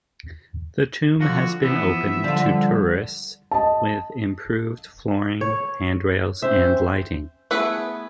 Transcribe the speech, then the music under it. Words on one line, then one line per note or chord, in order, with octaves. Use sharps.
The tomb has been opened to tourists with improved flooring, handrails and lighting.
D3 F3 F#4
E3 F3 B3 E5
D3 F3 G3 F4
D#5 A5
C#5
C4 C#4 C5 E5
A3 B3 E4 G#4 B4